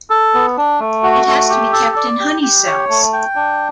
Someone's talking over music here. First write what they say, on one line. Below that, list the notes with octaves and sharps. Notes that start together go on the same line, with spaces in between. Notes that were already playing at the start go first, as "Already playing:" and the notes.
It has to be kept in honey cells.
A4
B3
D4
A3
F#4
A3
G4
A4
D5
G4
G4
C#5
A3
G5
D4